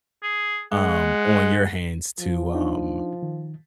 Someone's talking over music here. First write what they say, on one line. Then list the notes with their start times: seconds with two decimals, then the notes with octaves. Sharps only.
um, on your hands to, um,
0.23 G#4
0.72 G#3 F#5
2.20 F3
2.55 D4 D#4
3.22 D#3